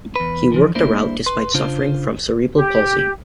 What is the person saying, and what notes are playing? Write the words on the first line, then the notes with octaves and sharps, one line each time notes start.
He worked a route despite suffering from cerebral palsy.
E2 B4
D3 E3 F3
G3 A#3 D4 E4 C5
B4 C6
C#3 D4 F4 C5
G4